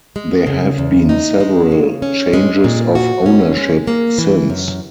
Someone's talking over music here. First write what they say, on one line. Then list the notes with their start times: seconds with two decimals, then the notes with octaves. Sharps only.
There have been several changes of ownership since.
0.16 G#3
0.47 C#3
0.78 E2
1.09 D#4
1.40 G#3
1.71 C#3
2.02 C#4
2.33 G#3
2.64 A#2
2.95 F#4
3.26 C#4
3.57 G#3
3.87 A#3
4.18 E3
4.50 F#2